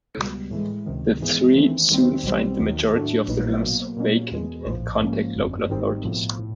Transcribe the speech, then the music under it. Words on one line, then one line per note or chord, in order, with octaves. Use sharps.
The three soon find the majority of the rooms vacant and contact local authorities.
C#2 B2 G3
A2 E3 G#3
C#2 C3 D#3
G#2 E3 G#3 B3
D#2 C#3 E3 A3 C4
D#2 D#3 G3 C4
B1 B2 G3 C4
D#2 D#3 F#3
A2 F#3 A3 D4
A#1 A#2 F#3 B3 D#4
B2 F#3 A#3
A#2 F#3 A#3 C#4
E2 B2 G#3
A#1 A2 F3
G#2 F3 A#3 C#4
G1 F2 C#3
G#1 G#2 D#3 G3 C4
B1 A2 F3
A2